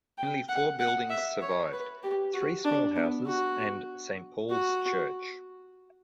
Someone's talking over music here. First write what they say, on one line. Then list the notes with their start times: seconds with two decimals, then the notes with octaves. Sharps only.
Only four buildings survived: three small houses and Saint Paul's Church.
0.18 G5
0.49 F#5
0.80 F#5
1.10 E5
1.42 C#5
1.73 B4
2.03 G4
2.34 F#4
2.65 D4
2.96 B3
3.27 F#4
4.50 F#4